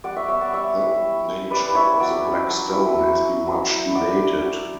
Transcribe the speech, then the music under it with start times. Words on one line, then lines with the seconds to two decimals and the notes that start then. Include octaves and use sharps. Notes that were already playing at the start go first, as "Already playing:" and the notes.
The nature of the Black Stone has been much debated.
0.04 G3 D5 F#5
0.16 C#5 E5
0.28 B3 C#5 E5
0.41 D5 F#5
0.53 G3 C#5 E5
0.78 E4
1.02 G3
1.27 C#4
1.51 G3 B4 D5
1.75 E4 C#5 E5
2.00 F#3 D5 F#5
2.24 C#4
2.49 F#3
2.73 E4
2.98 F#3
3.22 C#4
3.47 F#3
3.71 E4
3.95 F#3 D5 F#5
4.20 C#4
4.44 F#3